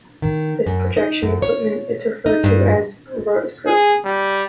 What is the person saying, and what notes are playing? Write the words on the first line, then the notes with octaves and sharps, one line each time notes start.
This projection equipment is referred to as a "rotoscope".
D#3
F#2
D#4
F#2
C#5
D#4
G2
G#4
G3